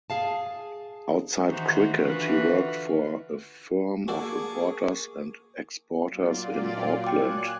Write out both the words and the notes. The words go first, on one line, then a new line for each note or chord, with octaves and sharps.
Outside cricket, he worked for a firm of importers and exporters in Auckland.
G#4 F5 A5
D#3 E3 D#4 F#4 C5
D3 E3 F4 F#4 B4
A#3 F#4 G#4 A4 D5 A5 C#6 D6
A#2 F#3 F4 D5
G5 G#5 D6 F#6